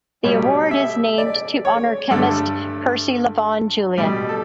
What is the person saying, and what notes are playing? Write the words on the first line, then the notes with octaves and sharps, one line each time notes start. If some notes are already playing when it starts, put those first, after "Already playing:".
The award is named to honor chemist Percy Lavon Julian.
B2 G3 C#5
E5
D5
C#5
G2 D3 A3 A4
B2 G3
A4